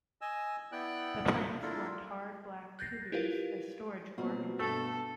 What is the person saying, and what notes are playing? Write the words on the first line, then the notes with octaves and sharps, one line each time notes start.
The plants form hard black tubers as storage organs.
D#5 G#5 E6
B3 E4 D5 G5 F#6
A#3 D4 E4 F4 A4 A#4
F#6 G6 A6 A#6 C7
E4 F4 G4 A#4 B4 F5
B2 A#3 C4 F4
G2 A3 A4 A5